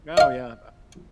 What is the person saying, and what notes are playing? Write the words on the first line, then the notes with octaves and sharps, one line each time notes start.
Oh, yeah,
D#5 F5